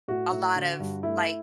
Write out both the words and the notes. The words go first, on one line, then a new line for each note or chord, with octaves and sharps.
a lot of, like
A2 F#4
A2
D3
G2
A3 E4